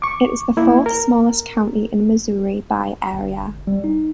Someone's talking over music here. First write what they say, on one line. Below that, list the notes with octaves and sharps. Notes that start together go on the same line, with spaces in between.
It is the fourth-smallest county in Missouri by area.
C#6 D6
A#3 E4
A#4
G1
G3
D#4